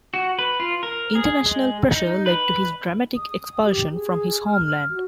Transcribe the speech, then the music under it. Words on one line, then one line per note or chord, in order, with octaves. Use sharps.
International pressure led to his dramatic expulsion from his homeland.
F#4
B4
F4
A#4
G#4
G#3
D#4
B4
D#6
G4
G#4
F6
F#4